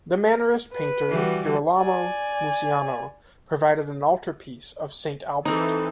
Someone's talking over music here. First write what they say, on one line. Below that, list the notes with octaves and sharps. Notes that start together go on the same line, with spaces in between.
The Mannerist painter Girolamo Muziano provided an altarpiece of "Saint Albert".
B4
E3 G3 F#4
D5 G#5
E3 C4 D#4 A4